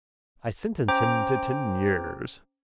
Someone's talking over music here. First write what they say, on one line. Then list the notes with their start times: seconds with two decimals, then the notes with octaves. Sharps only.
I sentenced him to ten years.
0.88 C#4 C5 G5 A#5 D6